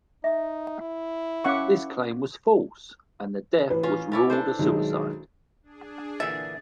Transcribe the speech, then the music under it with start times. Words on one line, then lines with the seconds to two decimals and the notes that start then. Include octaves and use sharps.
This claim was false, and the death was ruled a suicide.
0.24 D#4 E5
0.81 E4
1.44 C#4 A#4 F5 F#5 C#6 D6
3.70 A1 B4
3.83 C#4 F4
4.12 C#4 E4 C#5 D6 A6
4.30 D4 A4 C5
4.59 B1 D#3 G#3
5.63 D4 G#4
6.20 A#2 D3 E3 E5 A6